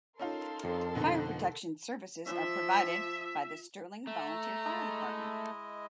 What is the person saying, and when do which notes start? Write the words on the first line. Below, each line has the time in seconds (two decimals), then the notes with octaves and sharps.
Fire protection services are provided by the Sterling Volunteer Fire Department.
0.20 C#4 D#4 F4 A4 A#4 C6
0.64 F2
0.95 B2 D3 D#4
2.26 F3 E5
4.07 A3 A#5
4.65 G#3 E4 D#5